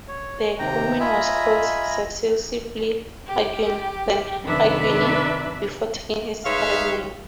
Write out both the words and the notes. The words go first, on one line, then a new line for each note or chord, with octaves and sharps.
The commune was called successively "Aguerne" then "Aguerny" before taking its current name.
C#5
D#2 C3 G5 A#5
F4 D#5 E5 G#5 A#5 B5
G4
F#2 C3 D#3 D4 B4 E5
G#3 D#4 B4 C#5 E5 F5